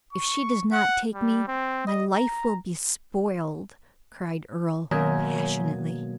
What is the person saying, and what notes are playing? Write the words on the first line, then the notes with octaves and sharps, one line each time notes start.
"If she does not take me, my life will be spoiled!" cried Earle, passionately.
C#6
F#5
G3
C4
D#5
A#5
F#2 B2 D#3 F#3 A#3 G#6